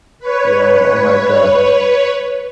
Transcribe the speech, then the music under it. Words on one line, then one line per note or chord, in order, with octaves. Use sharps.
Yeah, oh oh my god.
B4 C#5